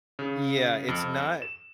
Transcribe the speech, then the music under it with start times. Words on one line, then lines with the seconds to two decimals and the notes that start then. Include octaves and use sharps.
Yeah, it's not
0.19 C#3
0.88 F2
1.42 E7